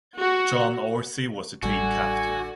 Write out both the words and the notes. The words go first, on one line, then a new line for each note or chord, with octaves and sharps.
John Orsi was the team captain.
F#4
A1 D3 G3 F#4 G#5